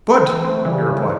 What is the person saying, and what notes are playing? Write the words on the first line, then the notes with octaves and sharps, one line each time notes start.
"Good!" he replied.
E3
A3 C4
C#3 E3 F3 G3